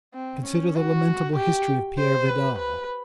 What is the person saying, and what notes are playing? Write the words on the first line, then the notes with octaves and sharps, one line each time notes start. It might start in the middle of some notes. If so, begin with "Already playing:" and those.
Consider the lamentable history of Peire Vidal.
C4
C#4
F#4
G4
C5
B4
B4